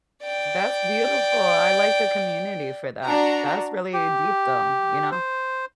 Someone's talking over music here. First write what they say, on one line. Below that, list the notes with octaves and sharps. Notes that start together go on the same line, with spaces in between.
That's beautiful, I like the community for that. That's really deep though, you know.
D5 G5
D4 F#4 A#5
G4
C5